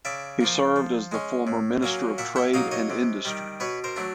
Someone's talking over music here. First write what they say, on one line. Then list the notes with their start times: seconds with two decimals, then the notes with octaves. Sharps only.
He served as the former Minister of Trade and Industry.
0.05 C#3 D5 E5
0.41 F3 A#3
0.76 F3
1.12 G#3 C#4
1.47 A2
1.83 F#3 A#3 C#4
2.18 A#2 E5 F#5
2.36 E5 F#5
2.54 F#3 A#3 D#4 D#5 F5
2.71 C#5 D#5
2.90 C3
3.25 D#3 G3
3.60 B2 B4 C#5
3.84 A#4 C5
3.96 F#3 A3 D4